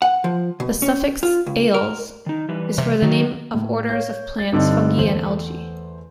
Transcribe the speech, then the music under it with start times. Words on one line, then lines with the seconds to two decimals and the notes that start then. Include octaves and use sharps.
The suffix "-ales" is for the name of orders of plants, fungi, and algae.
0.02 F#5
0.24 F3
0.60 B2
0.82 C#4
1.23 F4
1.46 C#2
1.74 A#4
2.26 D#3 D#4
2.49 E3 G3 B4
2.78 C3
3.02 D#3 F#3
3.54 A2
3.90 C#5 F5 G6
4.38 A6
4.53 G2 D3 C4 D4 D#4
4.98 E2 A3 C5 F#7